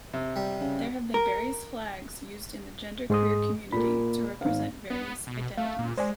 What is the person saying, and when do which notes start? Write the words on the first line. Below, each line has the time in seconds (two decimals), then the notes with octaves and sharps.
There have been various flags used in the genderqueer community to represent various identities.
0.14 C3
0.36 G3
0.61 C#3
1.14 A#4
3.10 G#2 G#3 C6 D#6
3.73 A#2 A#3 B5
4.41 G#1 F5
4.90 B3
5.27 B2
5.57 A3 F5
5.79 A#2
5.98 G#3 C5 D5 G#5